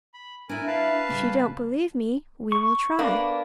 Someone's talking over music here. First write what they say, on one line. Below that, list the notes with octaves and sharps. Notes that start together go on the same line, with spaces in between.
If you don't believe me, we will try.
B5
D4 E4 A#4 G#5
B4 F5 A5
C#3 G3
C#6
A#3 B3 D4